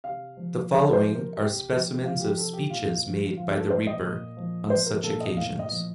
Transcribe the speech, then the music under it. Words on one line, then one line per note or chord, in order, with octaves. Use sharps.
The following are specimens of speeches made by the reaper on such occasions.
C3 F5
F3
F3 D#5
C5
C3
A#4
C3 G4
F3
F3 F4
G4
C3 A4
G4
A#2 F4
F3
F3 F4
A4
A#2 C5
D#5
A#2
F3
F3 C5
A#4
A#2 A4
D#5
A2 F5
D#5
F3